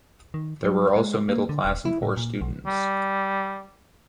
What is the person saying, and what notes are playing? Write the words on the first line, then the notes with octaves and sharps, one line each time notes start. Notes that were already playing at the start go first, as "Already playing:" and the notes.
There were also middle class and poor students.
D#3
F#3
G#3
A#3
D3
D#1
E4
A2
A#2
B1
G3